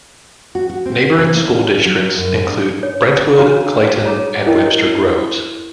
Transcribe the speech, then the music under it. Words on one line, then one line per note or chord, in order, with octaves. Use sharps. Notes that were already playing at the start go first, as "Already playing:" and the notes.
Neighboring school districts include Brentwood, Clayton, and Webster Groves.
F#4
F#4
C4
F#4
C3
A#3
C#4
F#3
F#2
D4
C#5
D4 F#4 C#5 F5 A#5 C6
G#4 C#5 A#5
E4 A#4 D#5 G5